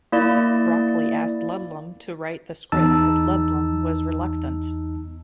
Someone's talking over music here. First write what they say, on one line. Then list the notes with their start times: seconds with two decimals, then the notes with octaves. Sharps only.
Broccoli asked Ludlum to write the script, but Ludlum was reluctant.
0.12 A#3 E4 D5
2.72 E2 D#4 A5 E6